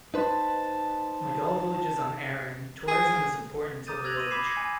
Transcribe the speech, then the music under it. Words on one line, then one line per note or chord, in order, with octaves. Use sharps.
Like all villages on Arran, tourism is important to the village.
D#4 B4 C5 A5
G#4
A#5 D6 D#6 G6 A6 D#7
E6 F#6 G#6 A#6 F7 F#7
C6 A#6 D#7 F#7
B5 D6 G#6 B6 C7 E7
G#6 A#6 C7 C#7
G#5